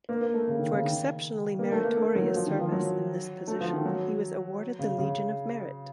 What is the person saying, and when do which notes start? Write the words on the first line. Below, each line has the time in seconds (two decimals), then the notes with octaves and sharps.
For exceptionally meritorious service in this position, he was awarded the Legion of Merit.
0.09 A#3
0.21 A#3
0.34 A3
0.48 C#3
0.59 D#3
0.72 C#3
0.84 D#3
1.59 A#3
1.72 A3
1.84 A#3
1.97 A3
2.16 F#3
2.35 F3
2.47 D#3
2.59 F3
2.72 F#3
3.47 A3
3.60 F3
3.73 D#3
3.86 F#3
4.79 C#3
4.98 C#3